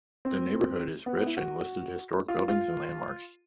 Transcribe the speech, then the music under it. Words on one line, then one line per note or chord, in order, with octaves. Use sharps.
The neighbourhood is rich in listed historic buildings and landmarks.
C4
B3
B3
E4
F#4
F4
F4